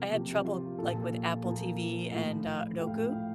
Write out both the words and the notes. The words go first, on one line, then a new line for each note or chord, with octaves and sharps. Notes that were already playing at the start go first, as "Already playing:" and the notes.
I had trouble, like, with Apple TV and, uh, Roku
Already playing: C3 F3 A#4
C3 F3 G4
F4
A#2 F3 A4
A#2 F3 A#4
A2 F3
A2 F3 G5
F5
G5
F5